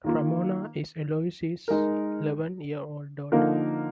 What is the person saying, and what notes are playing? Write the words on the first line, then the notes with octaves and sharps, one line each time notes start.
Ramona is Eloise's eleven-year-old daughter.
D#3 A#3 F4
G#3 D#4 A#4
D3 F3 A#3 D#4 A#4